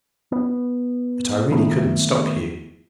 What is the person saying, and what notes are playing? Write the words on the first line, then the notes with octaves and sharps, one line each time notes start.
But I really couldn't stop you.'
B3
D#3 A3 B3